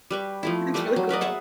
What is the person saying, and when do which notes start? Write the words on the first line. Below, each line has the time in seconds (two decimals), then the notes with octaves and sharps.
That's really cool.
0.11 G3 B4 C#6
0.43 F3 A3 E4
0.74 G3 A3 B4 G#5
0.96 F#3
1.09 A#4 B4 D5 D#5
1.21 G#4 E5 F#5 A5